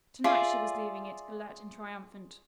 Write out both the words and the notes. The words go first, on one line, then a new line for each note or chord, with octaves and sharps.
To-night she was leaving it alert and triumphant.
F4 G#4 D5 E5